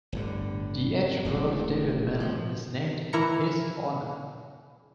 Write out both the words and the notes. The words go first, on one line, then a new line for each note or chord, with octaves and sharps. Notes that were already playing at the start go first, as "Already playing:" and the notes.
The Edgeworth David Medal is named in his honour.
G1 A2 D3
D1 A1 A#2 G#3
F3
E3 E4 A#4 C#7